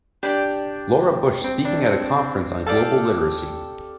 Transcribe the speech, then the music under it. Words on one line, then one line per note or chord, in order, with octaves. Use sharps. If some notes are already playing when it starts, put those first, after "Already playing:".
Laura Bush speaking at a conference on global literacy.
D4 G4 D5 G5
C4
D4
C4
G4 A4 D5 F5 A5